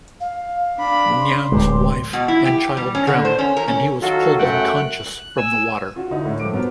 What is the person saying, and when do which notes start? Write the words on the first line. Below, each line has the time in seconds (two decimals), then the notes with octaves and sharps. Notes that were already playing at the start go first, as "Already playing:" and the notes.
Ngạn's wife and child drowned and he was pulled unconscious from the water.
0.21 F5
0.78 D4 B5
1.20 C6
1.52 D1 G#3 G4
2.13 B2
2.28 E4
2.45 G4
2.77 G3
2.95 C#4
3.07 D3
3.25 C5
3.39 C#4
3.57 A#4
3.68 C#4
4.02 D#3 F#3 F4 F#4 A4
4.39 F#2 A3 F#5 G5
4.76 F#6
5.37 G#5 E6
5.96 F4 F#4
6.11 D3 D#4 E4
6.25 A2
6.40 G2 F3 D6 D7
6.53 B3 F#4 A#4 C5